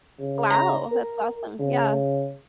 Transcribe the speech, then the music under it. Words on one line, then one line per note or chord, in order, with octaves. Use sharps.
Wow, that's awesome. Yeah.
C#3
A#5
A#4
C#3